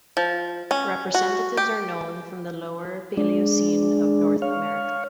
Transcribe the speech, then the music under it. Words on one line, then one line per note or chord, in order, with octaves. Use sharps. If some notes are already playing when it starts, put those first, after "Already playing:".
Representatives are known from the Lower Paleocene of North America.
F3
C#4
F#4
G4
G#3 D4
C#5 F5